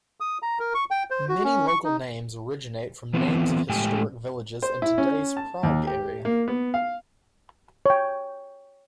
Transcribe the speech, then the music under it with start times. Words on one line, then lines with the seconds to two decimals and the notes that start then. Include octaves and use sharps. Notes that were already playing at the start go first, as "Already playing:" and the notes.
Many local names originate from names of historic villages in today's Prague area.
0.20 D#6
0.42 A#5
0.59 A#4
0.74 C#6
0.91 G5
1.11 C5
1.29 F#4
1.44 C#4
1.68 C#6
1.85 D#4
3.14 E3 B3 C4 F4 A4
3.69 A2 G#3 A3 G4 G5 G#5
4.62 C5
4.82 E4
4.98 C#4
5.37 A5
5.63 D#2
5.87 G4
6.25 A#3
6.48 B3
6.74 F5
7.86 C#5 G5